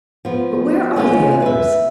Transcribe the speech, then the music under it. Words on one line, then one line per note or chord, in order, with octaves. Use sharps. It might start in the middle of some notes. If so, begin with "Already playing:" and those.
But where are the others?
F3 B3
G#3 A#3 B3 C#4 D4 F4
B4 E5